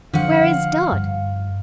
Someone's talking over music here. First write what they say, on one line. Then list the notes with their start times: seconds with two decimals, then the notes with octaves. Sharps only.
"Where is Dot?"
0.14 D3 F3 F5 F#5
0.92 G2